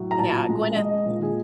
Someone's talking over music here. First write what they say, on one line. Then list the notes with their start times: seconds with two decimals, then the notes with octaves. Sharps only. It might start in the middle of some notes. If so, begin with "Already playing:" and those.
Yeah, Gwyneth. Mm-mm.
Already playing: A2 F#3
0.11 A#5
0.19 A#2 A5
0.49 G#3
0.76 G#3 D#5
1.06 A#2
1.23 G#4